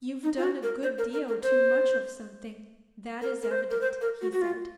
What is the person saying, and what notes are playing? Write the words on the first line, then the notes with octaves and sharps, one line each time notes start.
"You've done a good deal too much of something, that is evident," he said.
D#4
F4
F#4
A#4
C5
A#4
A#4
A#4
C5
A#4
A#4
C5
A#4
C5
A#4
F#4
F#4
F4